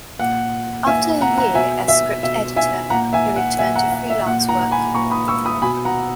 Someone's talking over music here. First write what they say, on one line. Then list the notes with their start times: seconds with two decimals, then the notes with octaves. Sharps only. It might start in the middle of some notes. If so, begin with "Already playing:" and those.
After a year as script editor he returned to freelance work.
0.19 A#2 F#5
0.87 A#2 E5 G#5
1.21 F#5 A#5
1.37 F#5 A#5
1.55 B2 E5 G#5
1.88 E5
2.23 B2 E5
2.56 E5 G#5
2.90 A#2 F#5 A#5
3.13 E5 G#5
3.36 F#5
3.59 A#2 E5 G#5
3.76 F#5 A#5
3.92 F#5
4.10 E5
4.26 A#2 F#5
4.49 F#5 A#5
4.71 G#5 B5
4.94 A#2 A#5 C#6
5.11 B5 D#6
5.28 C#6 E6
5.45 B5 D#6
5.62 B2 G#5 B5
5.85 F#5 A#5